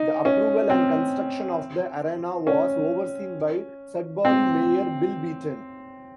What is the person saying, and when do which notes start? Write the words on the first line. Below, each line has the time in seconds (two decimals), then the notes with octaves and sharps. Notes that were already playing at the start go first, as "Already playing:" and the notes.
The approval and construction of the arena was overseen by Sudbury Mayor Bill Beaton.
Already playing: D#4
0.25 C#4
0.70 C4
2.47 C#4
4.25 C4